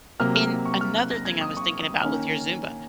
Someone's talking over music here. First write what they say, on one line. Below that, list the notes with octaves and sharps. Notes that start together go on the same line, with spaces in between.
and another thing I was thinking about with your Zumba:
C3 F#3 A#3 F6
F6
C#6
F6
F#6
A#6
G#6
D#6
C#6
D#6
D#3 A#3 C#4 F6